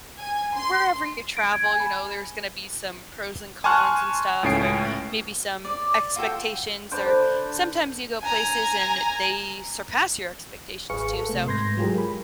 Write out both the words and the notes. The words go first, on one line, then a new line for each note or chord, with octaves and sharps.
wherever you travel, you know, there's gonna be some pros and cons and stuff or maybe some expectations, or, sometimes you go places and they surpass your expectations too. So,
G#5
C6
D7
G#6
G#5
B5
G#5 A5 C6 C#6 F6 F#6
C#2 A2 C#4 G#5 C7 D7
D5
F4 F#4 A4 G5
D3 B4 C5 D6
G#5 A#5
G#1 G#4 B4 F5 C#6 C#7
A4 B4
C3 A3
G#2 B4 C6 G6 G#6 A#6
F#3 G#3 F4 G4 G#4 A#4
B5